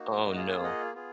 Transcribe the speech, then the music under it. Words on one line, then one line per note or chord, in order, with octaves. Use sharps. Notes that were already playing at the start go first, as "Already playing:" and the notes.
Oh, no.
Already playing: A#3 D#4 F#4
A#3 F4 G#4 D#5 F#5
C#5 F5
D#5 F#5
B3 F4 G#4